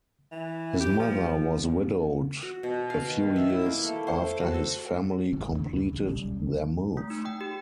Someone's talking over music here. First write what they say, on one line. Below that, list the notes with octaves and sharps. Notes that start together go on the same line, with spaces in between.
His mother was widowed a few years after his family completed their move.
E3
G4
F3
F#4
B2
F5
D#3
E5
E4
A#3
A3
C5
D6
F#4
A4
D1 G1 A2 D3
D#2 C#3 D4
C#2
A1
D#1 B1 C#3 G3
A3
D#4
G5
G4